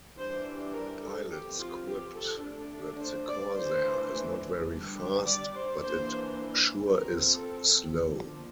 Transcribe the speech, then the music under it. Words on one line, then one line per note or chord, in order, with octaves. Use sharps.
Pilots quipped that the Corsair is not very fast, but it sure is slow.
E3 G3 D4 C5
A#4
A4
F3 C4 G4
F4
G4
A4
D3 A3 D4
C5
D5
E3 A3 D4 C5
G3 D4
D5
C5
E3 A#3 D4 C5
F3 C4 A#4
A4
F3 A#3 D4